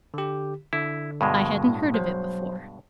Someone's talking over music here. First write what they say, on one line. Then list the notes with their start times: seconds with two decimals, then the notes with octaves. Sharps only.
I hadn't heard of it before.'
0.14 D3 G4
0.73 D3 E4
1.21 G2 B2 G#3
1.65 A2
1.94 F#3 C5